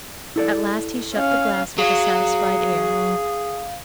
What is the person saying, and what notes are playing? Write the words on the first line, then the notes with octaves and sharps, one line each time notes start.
At last he shut the glass with a satisfied air.
E4 A4 D5
C#4 F5
F#3 G#4 F5